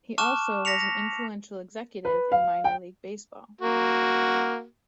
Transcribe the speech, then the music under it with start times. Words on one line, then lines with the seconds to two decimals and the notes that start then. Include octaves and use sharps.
He also was an influential executive in minor league baseball.
0.18 A5 C#6 D6 F6 F#6 E7
0.65 A#6 B6 C#7 F7
0.80 A#6
2.05 B4
2.32 F5
2.64 G5
3.61 A#3 F#4